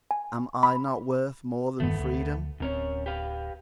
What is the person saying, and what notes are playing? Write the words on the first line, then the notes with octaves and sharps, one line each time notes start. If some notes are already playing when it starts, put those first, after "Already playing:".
Am I not worth more than freedom?
G#5
B5
E1 G2 D#3 A3 B3
D2
D1 F#2 C4 A#4 C#5
G4 B4 F5